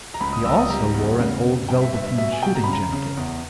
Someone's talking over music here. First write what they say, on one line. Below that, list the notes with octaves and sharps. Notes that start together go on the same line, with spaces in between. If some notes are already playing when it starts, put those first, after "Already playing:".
He also wore an old velveteen shooting jacket.
A#5
C#2 B5
D#6
C#2 E6
D#6
G3 A#5
E2
C#3
C#3
G2 G5
E5
G2 E5
E5
B2 E5
G#5
B2 G5
A#5
B5
C#3
A#5
C#3
E2